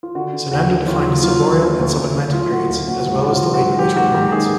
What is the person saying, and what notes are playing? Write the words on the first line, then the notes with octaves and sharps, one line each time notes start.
Sernander defined subboreal and subatlantic periods, as well as the late glacial periods.
F4
D3 F#4
D3
D#2 F#4
D3
D#2 F4
F#3
F#3 F4
D#2
D3
D2
D2
D2
F#3 F4
D2 F#4
D2 F4
D2 F#4
G#2 F#4
G#2 F#4
F4
F#3
F#4
G#2
F#3 G4
G#2 F#4
G#2 G4
D#3 G#4